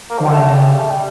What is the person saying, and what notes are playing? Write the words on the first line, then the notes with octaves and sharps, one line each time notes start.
Wind down.
A#3
F3
G3
A3
G3
A3
G3